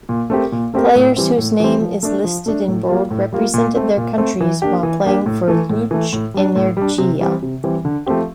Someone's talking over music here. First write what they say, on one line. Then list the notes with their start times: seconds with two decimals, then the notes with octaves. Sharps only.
Players whose name is listed in bold represented their countries while playing for Luch-Energiya.
0.09 A#2
0.30 A3 C4 G4 A#4
0.52 A#2
0.74 A3 C4 G4 A#4
0.95 A2
1.17 E3 G3 C4
1.38 A2
1.60 E3 G3 C4
1.81 F3
2.03 A3 D4
2.24 F3
2.46 A3 D4
2.68 A2
2.89 G3 A#3 F4
3.11 A2
3.33 G3 A#3 F4
3.54 A#2
3.76 A3 C4
3.97 A#2
4.18 A3 C4
4.40 E3
4.62 A#3 D4 G4
4.83 E3
5.04 A#3 D4 G4
5.26 A2
5.48 E3 A3
5.69 A2
5.91 E3 A3
6.13 A2
6.34 G3 D4
6.56 A2
6.77 G3 D4
6.98 C3
7.20 E3 G3 C4
7.42 C3
7.64 E3 G3 C4
7.85 D3
8.06 F3 A3 C4 G4